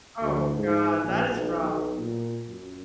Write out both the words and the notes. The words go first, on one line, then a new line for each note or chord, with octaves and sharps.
Oh god, that is rough.
D2
G#2
A#1
B1
B1
A#2
F#2